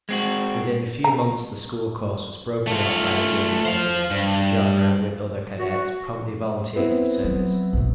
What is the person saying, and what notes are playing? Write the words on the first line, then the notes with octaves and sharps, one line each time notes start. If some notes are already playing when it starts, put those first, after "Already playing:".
Within a few months the school course was broken up by the German invasion, and Joffre with other cadets promptly volunteered for service.
G#3 C4 F#4
A#5
A3 F4
C5 F5
G2
F#4
B3 C4 E4
F#3
A#1 B2